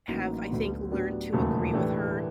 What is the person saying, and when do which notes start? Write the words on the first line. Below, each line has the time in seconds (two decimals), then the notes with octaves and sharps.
have, I think, learned to agree with her,
0.08 A1 A2 F#3 A#3 D#4
0.50 D2 D3 F#3 B3
0.91 A2 F#3 B3 D4 G4
1.33 E1 D#2 C#3 F#3 A3
1.74 A2 E3 A3 D4 G4